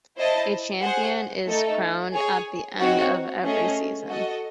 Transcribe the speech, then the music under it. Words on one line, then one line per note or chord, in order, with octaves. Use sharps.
A champion is crowned at the end of every season.
E4 C5 D#5 A5
G#4 C5 F#5
A3 D#4 A4
G#4 C#5 G#5
C4 D#4 F#4 C#5 F#5
A3 C#4 G#4 D#5
F#4 A4 D#5